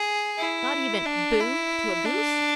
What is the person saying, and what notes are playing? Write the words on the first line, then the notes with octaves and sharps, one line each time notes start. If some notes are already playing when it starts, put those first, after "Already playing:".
"Not even boo' to a goose?"
Already playing: G#4
E4
D4
E4
D4